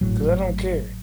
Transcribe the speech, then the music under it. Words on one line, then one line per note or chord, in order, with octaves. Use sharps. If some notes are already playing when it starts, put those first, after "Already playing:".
'Cause I don't care."
G#1 A2 F#3